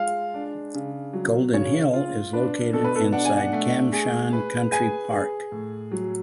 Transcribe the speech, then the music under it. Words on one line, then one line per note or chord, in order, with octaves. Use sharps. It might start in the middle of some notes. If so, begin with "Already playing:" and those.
Golden Hill is located inside Kam Shan Country Park.
Already playing: G#3 F4 F5
D4
C#3
F#3
C#3 C#5
F4
D4 B4
B2 A4
B4
A4
D4 F#5
G#5
F#5
A3
G#4
B4
G#4 G#5
G#4
A2
F#3